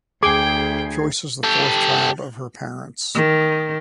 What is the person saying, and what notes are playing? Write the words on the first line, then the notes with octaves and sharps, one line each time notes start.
Joyce is the fourth child of her parents.
D2 G#4 G5 D6 G#6 C7
G4 A4
D#3